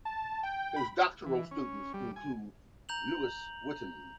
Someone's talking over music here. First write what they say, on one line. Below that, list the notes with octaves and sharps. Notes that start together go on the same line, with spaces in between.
His doctoral students include Louis Witten.
A5
G5
B5
E3
C#4
G3
G#5
A#5 G6 F7 F#7